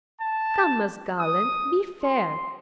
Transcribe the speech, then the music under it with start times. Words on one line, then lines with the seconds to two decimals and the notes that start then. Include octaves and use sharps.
Come, Miss Garland, be fair.
0.20 A5
1.18 D#6
2.03 C6